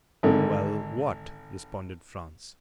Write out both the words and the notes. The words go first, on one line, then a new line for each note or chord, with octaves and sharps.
"Well--what?" responded Franz.
G#1 D3